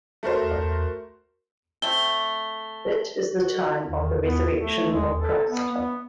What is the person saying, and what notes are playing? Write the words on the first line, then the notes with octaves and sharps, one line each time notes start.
It is the time of the resurrection of Christ.
A3 F#4 A#4 C5
A3 C4 G7
F#4
D#3
B3
A3
G#3
A4
B3
B3